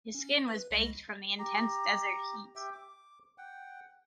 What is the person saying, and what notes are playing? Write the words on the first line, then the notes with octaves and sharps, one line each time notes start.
His skin was baked from the intense desert heat.
C#4
B4
C2 G#3 A#6
G4 A#5
G4 E5 G5
D6
F#5 G5